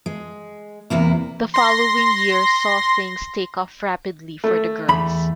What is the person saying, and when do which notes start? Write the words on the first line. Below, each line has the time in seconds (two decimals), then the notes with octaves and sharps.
The following year saw things take off rapidly for the girls.
0.06 G#3
0.90 E2 C3 A#3 E4
1.54 C6 A#6
4.44 A3
4.89 E2 B5